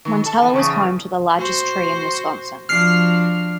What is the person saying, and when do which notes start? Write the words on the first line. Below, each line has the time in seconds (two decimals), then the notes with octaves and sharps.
Montello is home to the largest tree in Wisconsin.
0.05 D#3
0.26 A4
0.42 E3
0.54 E2 C#3
1.37 F#4 C5
2.69 F3 D4 F#4 F6 C7